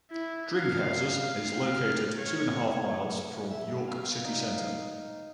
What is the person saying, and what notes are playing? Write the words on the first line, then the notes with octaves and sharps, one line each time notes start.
Dringhouses is located two and a half miles from York City Centre.
E4
F5
F5
F6
C#5
E5
F5
D#4